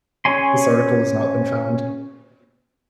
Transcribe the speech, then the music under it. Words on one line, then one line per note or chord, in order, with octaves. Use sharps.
This article has not been found.
C#4 G#4 C#5 G#5 C6